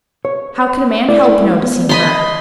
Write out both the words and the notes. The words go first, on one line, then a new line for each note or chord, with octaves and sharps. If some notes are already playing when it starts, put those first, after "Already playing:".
How could a man help noticing her?
C#5
A3 E4 D5
B3
D#5 A5 B5 C6